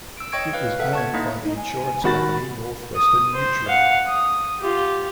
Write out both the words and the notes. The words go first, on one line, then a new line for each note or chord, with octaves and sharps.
It was owned by the insurance company Northwestern Mutual.
E6 D7
C#5 D#5 G5 C#6 G#6 D7
B4 F5
A4 E5 F#5
A5 C#6 G#6
A#3 D#4 E4 D#5
D#4
G#5
D#3 F#4 B5 A6
D#6
C5
F5 F#5
D#6
F4 G4